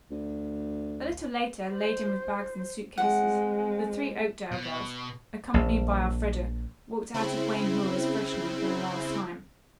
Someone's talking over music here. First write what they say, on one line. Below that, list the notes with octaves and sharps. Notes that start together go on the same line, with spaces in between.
A little later, laden with bags and suit cases, the three Oakdale girls, accompanied by Elfreda, walked out of Wayne Hall as freshmen for the last time.
D2
C5
G#3 C4 F#5
B2
A#1
C#3 C4 E4